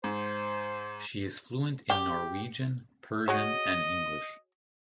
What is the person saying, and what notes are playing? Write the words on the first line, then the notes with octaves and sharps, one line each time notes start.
She is fluent in Norwegian, Persian and English.
G#2 C5
G4
F#4 G#4 C#5 D#5